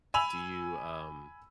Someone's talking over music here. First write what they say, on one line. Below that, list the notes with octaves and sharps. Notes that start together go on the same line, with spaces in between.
Do you, um,
G#5 B5 E6 F7